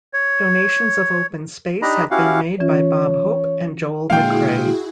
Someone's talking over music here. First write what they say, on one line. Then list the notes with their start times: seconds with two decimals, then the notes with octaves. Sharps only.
Donations of open space have been made by Bob Hope and Joel McCrea.
0.13 C#5
1.82 D4 D#4 G4 D#5 A#5 B5
2.11 C#4 E4 F#4 G4 F5 F#5
2.60 E3 C#4 F4 C#5
4.10 A#2 D3 G#3 E4 F#4 G#4 F5 G5